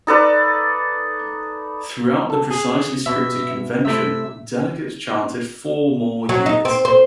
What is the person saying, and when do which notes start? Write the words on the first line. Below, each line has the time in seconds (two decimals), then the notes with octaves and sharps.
Throughout the precisely scripted convention, delegates chanted Four more years!
0.07 D#4 A4 B4 D5
2.30 A4
2.51 G#4 G#5
3.06 B2 E5
3.85 C3 A3 E4 E5
6.29 F#3
6.46 D#4
6.65 C4
6.85 C5